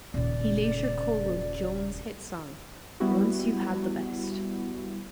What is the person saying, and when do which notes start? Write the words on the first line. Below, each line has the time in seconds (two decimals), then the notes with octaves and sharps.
He later co-wrote Jones' hit song Once You've Had the Best.
0.14 D#1 C#3 D5
3.00 G3 B3 E4 F#4